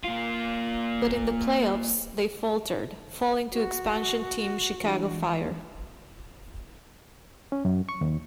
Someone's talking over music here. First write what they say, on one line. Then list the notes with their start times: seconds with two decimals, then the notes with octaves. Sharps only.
But in the playoffs they faltered, falling to expansion team Chicago Fire.
0.05 A#3 F4
3.53 F#4
4.84 E3 G#3 D4
7.52 C#4
7.65 F#2
7.89 C#6
8.01 D#2